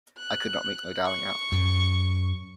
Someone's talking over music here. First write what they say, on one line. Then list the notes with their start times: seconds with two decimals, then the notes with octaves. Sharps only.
I could not make my darling out.
0.18 F#6
1.06 C#6
1.52 F#2